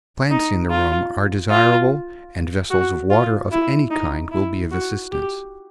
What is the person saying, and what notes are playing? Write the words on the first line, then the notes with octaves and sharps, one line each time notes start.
Plants in the room are desirable and vessels of water of any kind will be of assistance.
D#4
F4
F4
F#4
F4
E4
D#4
E4
F#4
G4